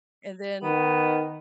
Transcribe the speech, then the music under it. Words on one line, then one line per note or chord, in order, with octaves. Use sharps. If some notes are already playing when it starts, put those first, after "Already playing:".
And then
D#3 B3